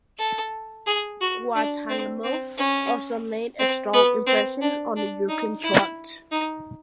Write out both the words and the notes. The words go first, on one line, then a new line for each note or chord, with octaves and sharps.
"Guantanamo" also made a strong impression on the European charts.
A4
G#4
F#4
D4
C4
C4
C#4
C4
B3
C4
D4
D4
D#4
E4
D#4